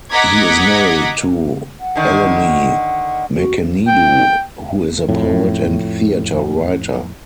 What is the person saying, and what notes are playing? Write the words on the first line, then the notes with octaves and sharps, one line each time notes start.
He is married to Eleni Merkenidou who is a poet and theatre writer.
D#5 F#5 A#5 D6 G#6 B6
F#5
D3 D#3
F#4
G5
F2 A2